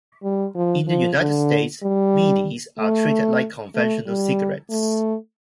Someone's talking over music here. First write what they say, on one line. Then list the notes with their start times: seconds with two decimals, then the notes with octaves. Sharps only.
In the United States, beedies are treated like conventional cigarettes.
0.23 G3
0.55 F3
0.87 F3
1.19 D3
1.83 G3
2.79 A3
3.75 A3
4.07 G3
4.70 A3